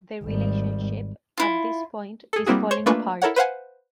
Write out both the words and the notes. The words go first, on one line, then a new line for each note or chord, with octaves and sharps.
The relationship, at this point, is falling apart.
G#1 G3
E4 F4
G#4 A4
G3 A#3 C4 E4 F#4 G#4
C5 C#5 C#6 G6 C#7 E7
A3 A#3 D4 F4 B4 C#6
E4 A4 A#4 C#5 F#5
B4 C5 F5 F#5 G#5